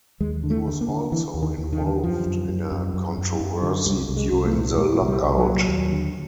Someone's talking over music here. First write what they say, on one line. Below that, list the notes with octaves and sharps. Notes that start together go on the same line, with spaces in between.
He was also involved in a controversy during the lockout.
D#2 G#3
D3
A3
D3
A#3
D3
D3 E3
D#2
D#3
D#2
D#3
D3
F#2 F3
F#2
F#2
F#2
F#2
F#2
F#2
D3
C2 G3
C2
G#3
C2
A3
A#2
A#2 G#3
C2
G3
C2
F#3
A#2
D#2
D3